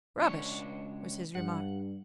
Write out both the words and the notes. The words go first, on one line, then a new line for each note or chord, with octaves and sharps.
"Rubbish," was his remark.
C#2 D4 C#5
G2 F#5